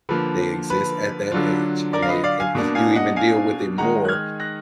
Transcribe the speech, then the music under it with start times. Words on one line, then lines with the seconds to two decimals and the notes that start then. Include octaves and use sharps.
They exist at that age and they and if you even deal with it more,
0.09 D3 F3 A#3 B4
0.70 B4
1.32 D3 F#3 D4 F4
1.93 A#4 D5
2.02 F5
2.09 B4 D#5
2.24 D5 F5
2.40 F5 G#5
2.55 B2 A#3 D4
2.75 F5 G#5
2.96 D#5 F#5
3.16 F5 G#5
3.78 D#3 G#3 D#4 F#5 A#5
4.05 F#6
4.08 F6 G#6
4.40 F#6 A#6